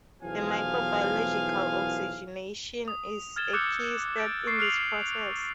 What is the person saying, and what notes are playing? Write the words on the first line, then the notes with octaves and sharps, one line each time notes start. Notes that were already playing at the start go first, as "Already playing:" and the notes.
The microbiological oxygenation is a key step in this process.
B1 E2 F3 E4 F5 G#5
D#6
F6 G#6 A6 E7 G7
D6 E6 F#6 G6 C#7 E7
G6 A6 D7
C#6 A6 C7
F6 F#6 C7 D7 F7 F#7